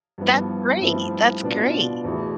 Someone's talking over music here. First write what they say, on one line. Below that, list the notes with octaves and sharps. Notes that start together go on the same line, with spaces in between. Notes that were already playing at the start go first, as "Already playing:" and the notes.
That great, that's great.
G2 F3 B3 E4
G2 F3 A3 C4 E4
B2 B3 D4 F4
E2 B2 A3 E4 G4